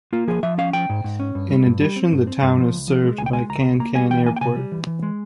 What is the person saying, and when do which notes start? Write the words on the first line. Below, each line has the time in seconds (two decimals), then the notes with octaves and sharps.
In addition, the town is served by Kankan Airport.
0.13 A#3 F4
0.28 F3 G#4
0.43 F3 E5
0.58 C#4 F5
0.73 F3 G5
0.89 G#2
1.04 G#2
1.20 C#4
1.35 G2
1.50 G3
1.66 G2
1.81 G3
1.96 C4
2.12 G2
2.27 C4
2.42 G2
2.58 F3
2.73 C#2
2.88 F3
3.03 G#3
3.18 C#2 G#5
3.26 G5
3.33 G#3 G#5
3.49 C#2 A#5
3.65 C#2
3.80 A#3 A#5
3.95 G3 G#5
4.10 E3 G5
4.25 A#3 G#5
4.36 G5
4.41 C3 G#5
4.56 G3
4.72 E3
4.87 E3
5.03 G#3